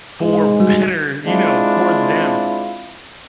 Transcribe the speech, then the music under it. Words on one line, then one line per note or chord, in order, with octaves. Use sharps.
for better, you know, for them.
G#2 G#3
G3 F#4
G#3 C4 D4 E4 F4